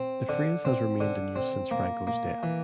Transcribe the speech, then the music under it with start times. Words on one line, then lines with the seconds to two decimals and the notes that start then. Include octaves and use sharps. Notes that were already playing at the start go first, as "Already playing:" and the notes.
The phrase has remained in use since Franco's death.
Already playing: C4
0.29 D3
0.65 C4
1.00 D3
1.36 C4
1.71 A#3
2.07 A#3
2.43 E3